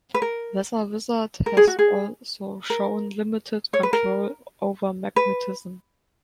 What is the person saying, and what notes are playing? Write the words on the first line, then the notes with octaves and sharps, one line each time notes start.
Weather Wizard has also shown limited control over magnetism.
B4
A#4
A#4
G#4
F#4
G#4
A#4
C#5
B4
A#4
B4